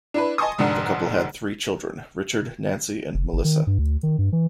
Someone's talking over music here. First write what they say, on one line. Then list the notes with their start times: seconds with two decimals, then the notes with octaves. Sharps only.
The couple had three children, Richard, Nancy, and Melissa.
0.14 D4 E4 B4
0.38 D#5 G#5 A5 C6 C#6 D#6
0.58 F1 G#2 D3 D4 F#5 A#5
3.14 F1
3.33 G1
3.44 D#3
3.67 G2
3.79 D2
4.03 D#3
4.18 G2
4.33 E3